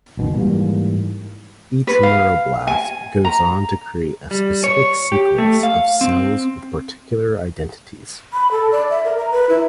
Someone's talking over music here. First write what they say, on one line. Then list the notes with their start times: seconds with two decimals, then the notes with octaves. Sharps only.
Each neuroblast goes on to create a specific sequence of cells with particular identities.
0.17 F#1 B2 D#3
0.36 G#2 E3 G3 A#3
1.87 B4
2.03 F5
2.67 G#5
3.25 A#5
4.31 G3
4.64 C#5
5.12 G4
5.38 A3
5.63 F5
6.01 C4
8.33 B5
8.51 A4
8.72 D5
8.90 E5
9.05 A#4
9.18 A#5
9.31 B4
9.49 E4